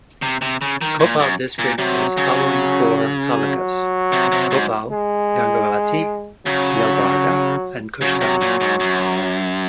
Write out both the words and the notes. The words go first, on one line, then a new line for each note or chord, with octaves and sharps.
Koppal district has following four talukas: Koppal, Gangavathi, Yelbarga, and Kushtagi.
C3
C3
C#3
D#3
A#2
F#2
A#2
C3 F#3
C#3
F#3
C3
C3
G#2
G#3
C#3 F#3
C#3 F#3
C3
A#2
G#2
F#2